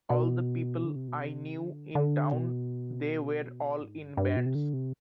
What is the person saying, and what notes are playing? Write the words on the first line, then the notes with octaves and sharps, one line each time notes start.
All the people I knew in town, they were all in bands.
B2
D3
C3
B2
C3
D3
D3
B2
G#2
G2
G2
B2
C3
D3
C3